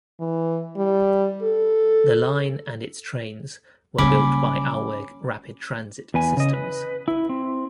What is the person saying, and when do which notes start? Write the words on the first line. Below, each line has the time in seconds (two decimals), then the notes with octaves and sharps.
The line and its trains were built by Alweg Rapid Transit Systems.
0.20 E3
0.77 G3
1.42 A4
3.98 C#3 F#3 G3 A#3 C#4 B5 D6
6.14 E2 B4 G#5
6.37 C#3 D#5
6.53 B4
7.08 E4
7.29 C4